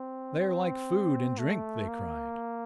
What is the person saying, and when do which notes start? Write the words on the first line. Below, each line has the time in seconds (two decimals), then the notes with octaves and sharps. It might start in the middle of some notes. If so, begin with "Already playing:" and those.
"They are like food and drink," they cried.
Already playing: C4
0.38 C4
1.38 A3
1.88 A#3